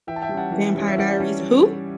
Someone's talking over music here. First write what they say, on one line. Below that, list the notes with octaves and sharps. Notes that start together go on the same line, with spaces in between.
Vampire Diaries Who?
E3 E5 G5
A5
E5 G5
G3
C#4 F#5 A5
E3
G3 C#4
E5
E3 D5 F#5
G3 C#4